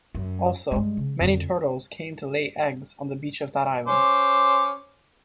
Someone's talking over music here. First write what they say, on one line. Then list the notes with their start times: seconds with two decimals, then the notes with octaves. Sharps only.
Also many turtles came to lay eggs on the beach of that island.
0.15 F#2
0.71 G2 G#3
0.97 C#3
1.20 F2 D3
3.87 C#4 C5 D6